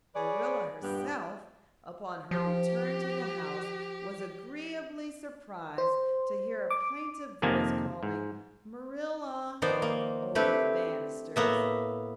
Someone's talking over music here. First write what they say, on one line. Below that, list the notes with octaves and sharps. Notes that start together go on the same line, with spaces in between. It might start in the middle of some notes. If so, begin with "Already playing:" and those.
Marilla herself, upon her return to the house, was agreeably surprised to hear a plaintive voice calling, "Marilla" over the banisters.
G#4 B4 C#5 D5
G2 A#2 B3 G4
F3 G4
C5
D6
F2 C3 D#3 A#3 G#5 A5
G#2
D#3 F3 B3 C5 D5
A#3
A3 C4 D4 E4 G4 B4
A2 A#3 B3 E5